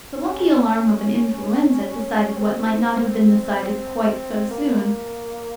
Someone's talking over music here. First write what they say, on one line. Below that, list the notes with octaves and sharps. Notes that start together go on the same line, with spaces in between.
The lucky alarm of an influenza decided what might not have been decided quite so soon.
C#4
C4
A#3